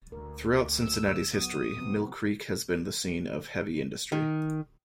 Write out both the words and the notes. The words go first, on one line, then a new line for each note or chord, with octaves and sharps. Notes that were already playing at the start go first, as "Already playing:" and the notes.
Throughout Cincinnati's history, Mill Creek has been the scene of heavy industry.
D2 A#4
E6
F#3 B3 F#4 D#6
C3 F3 B3 C4
D#3